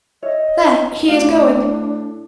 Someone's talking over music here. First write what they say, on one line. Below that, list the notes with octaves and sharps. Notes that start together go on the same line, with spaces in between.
There; he is going.
C#5 D#5 E5
A2 D4 F4 F#4 F5